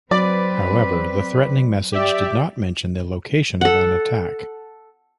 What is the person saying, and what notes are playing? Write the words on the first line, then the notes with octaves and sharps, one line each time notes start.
However, the threatening message did not mention the location of an attack.
F#3 C4 B4 D5
G4 D5 E5
A4 F#5